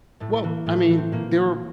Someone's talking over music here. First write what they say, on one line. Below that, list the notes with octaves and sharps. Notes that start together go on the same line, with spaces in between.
Well, I mean, there
A2 A3
A3
E3 A#3
A2 A3
E3
C4
A#2 A#3